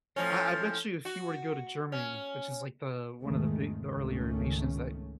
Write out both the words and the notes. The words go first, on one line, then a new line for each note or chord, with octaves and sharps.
I I bet you if you were to go to Germany, which is, like, the one of the big the earlier nations that
A2 F3 C#4
F#4
C#4
E2 G#2 D#3 G#3 A3
G#1 C#2 D#3 A3 C#4